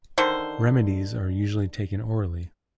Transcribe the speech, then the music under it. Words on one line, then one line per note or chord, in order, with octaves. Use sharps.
Remedies are usually taken orally.
D3 D#3 C5